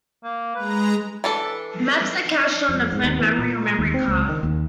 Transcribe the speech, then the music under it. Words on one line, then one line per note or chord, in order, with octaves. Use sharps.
Maps are cached on the phone memory or memorycard.
A#3
G#3 B4 A#5
E3 D4 A4
F2
G#2
D#2
E3
A#2
D#2
C4
C#2
D#3
D#2